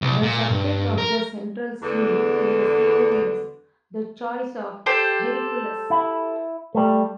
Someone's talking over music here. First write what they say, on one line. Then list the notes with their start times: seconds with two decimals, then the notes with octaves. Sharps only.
The subject of the central scene in the ceiling is "The Choice of Hercules".
0.02 C2
0.22 A#2
0.50 G2
0.98 A#4
1.82 E2 D3
4.86 G4 A4 C5
5.90 E4
6.75 G3 A3